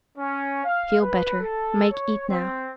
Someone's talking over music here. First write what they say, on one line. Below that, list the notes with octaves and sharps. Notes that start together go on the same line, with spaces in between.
"Feel better, make eat now."
C#4
F5
B4
A4
C#5
C4